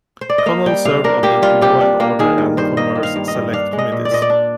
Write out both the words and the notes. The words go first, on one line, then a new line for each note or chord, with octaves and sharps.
Connell served on the Law and Order and Commerce select committees.
C5
D5
D#5
A#3 F5
G3 G5
C3 F5
D4 A#4
A#3 G4
G3 F4
C3 G4
D4
A#3 F4
D#3 G#4
G2
G2 C5
A#3 D#5
D#3
F5
G2
D#5
G2
D4 F5
G#3
D#5
A#2
D5
A#2 D#5
D5
D4